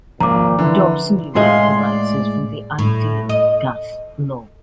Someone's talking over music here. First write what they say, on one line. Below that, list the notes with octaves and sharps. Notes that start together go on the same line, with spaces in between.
The Dobson Unit arises from the ideal gas law.
G#1 A#2 F3 A#5 D6
D3 E3
A2 G#3 G#4 F5 C6
D5
A2
D#5